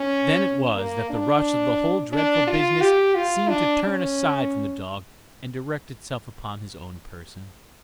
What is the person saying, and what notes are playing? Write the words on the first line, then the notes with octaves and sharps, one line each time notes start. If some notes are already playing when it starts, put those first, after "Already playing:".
Then it was that the rush of the whole dreadful business seemed to turn aside from the dog and direct itself upon his own person.
Already playing: C#4
A#3
D4
D4
F4
G4
F4
D4
C#4